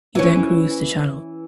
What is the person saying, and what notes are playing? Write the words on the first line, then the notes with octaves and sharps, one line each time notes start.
He then cruised the Channel.
E3 C#4